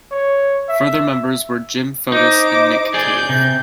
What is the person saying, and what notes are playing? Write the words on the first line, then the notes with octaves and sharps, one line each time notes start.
Further members were Jim Foetus and Nick Cave.
C#5
E5
D#4 C5 D6
G#4 D5 G6
C3